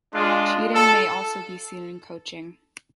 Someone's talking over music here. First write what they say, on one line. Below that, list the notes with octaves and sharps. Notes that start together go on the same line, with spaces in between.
Cheating may also be seen in coaching.
G#3 D4 F4
A4